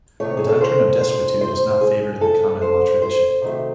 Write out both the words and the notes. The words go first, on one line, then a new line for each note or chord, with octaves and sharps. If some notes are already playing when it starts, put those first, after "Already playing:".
The doctrine of desuetude is not favoured in the common law tradition.
C3 D#3 A3 C#5
G#4
A4
C5
C5
C5
G#4
A4
C5
C5
C3 D#3 F#3 A3